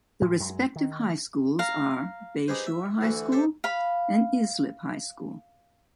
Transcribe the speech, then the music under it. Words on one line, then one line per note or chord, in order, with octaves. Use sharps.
The respective high schools are Bay Shore High School and Islip High School.
A2 G#3
F#2 F#3 G#3
D#3
F5 A#5
D#4 G4 G#4 B4 C5
E5
D2 D3 E3 F#4
G4 A4 C5 E5
F5 B5